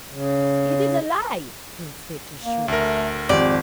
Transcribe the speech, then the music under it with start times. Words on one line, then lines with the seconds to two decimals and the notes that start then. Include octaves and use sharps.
"It is a lie!" Prince Victor shrilled.
0.11 C#3
2.44 A#3
2.68 D2 A3 A#4
3.29 G#1 F2 G4 D5